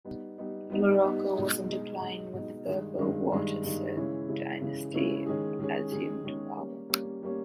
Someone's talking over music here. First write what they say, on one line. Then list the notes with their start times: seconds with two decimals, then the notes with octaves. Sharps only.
Morocco was in decline when the Berber Wattasid dynasty assumed power.
0.05 G3 B3 D#4
0.38 G3 B3 D#4
0.70 G3 B3 D#4
1.03 G3 B3 D#4
1.36 B2 G#3 D#4
1.69 B2 G#3 D#4
2.01 B2 G#3 D#4
2.34 B2 G#3 D#4
2.66 G2 D#3 G#3
2.98 G2 D#3 G#3
3.32 G2 D#3 G#3
3.64 G2 D#3 G#3
3.96 C#3 E3 G#3 C#4 E4
4.29 C#3 E3 G#3 C#4 E4
4.62 C#3 E3 G#3 C#4 E4
4.94 C#3 E3 G#3 C#4 E4
5.26 D#3 G#3 C#4 G#4
5.59 D#3 G#3 C#4 G#4
5.92 D#3 G#3 C#4 G#4
6.25 D#3 G#3 C#4 G#4
6.57 G3 A#3 C#4
6.90 G3 A#3 C#4
7.23 G3 A#3 C#4